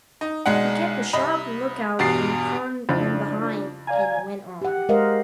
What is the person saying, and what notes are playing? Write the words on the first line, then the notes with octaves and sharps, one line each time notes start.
He kept a sharp lookout in front and behind and went on.
D#4
B1 G#3 D4 F#5
C2 D#5 B5
E2 G2 B2 B3 A6 C7
F2 C#3 D4 E4 F4
D5 F5 G#5 A#5
G4 F#5
G#3 A#4 C5 D#5 F5